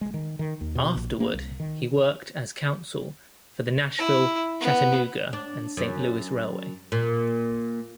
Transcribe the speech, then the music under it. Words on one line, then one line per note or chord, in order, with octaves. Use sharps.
Afterward, he worked as counsel for the Nashville, Chattanooga and Saint Louis Railway.
G#3
D#3
D#3
D#2
B2
A#1
A#3
C2
D#3
E4
B3
D4
F#2
A#2